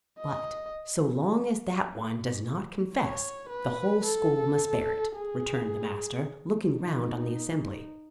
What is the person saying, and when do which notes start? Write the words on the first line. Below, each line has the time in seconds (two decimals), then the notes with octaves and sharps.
"But, so long as that one does not confess, the whole school must bear it," returned the master, looking round on the assembly.
0.20 D#5
2.95 C#5
3.50 B4
4.05 A4
5.16 G#4
6.81 D#4